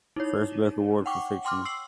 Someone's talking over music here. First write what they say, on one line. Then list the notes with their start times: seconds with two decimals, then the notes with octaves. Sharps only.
First Book Award for Fiction.
0.16 D#4 E4 C#5
1.06 F#5 G5 C#6 D6
1.45 G5 C6 D6 F6
1.65 E6 C7 F#7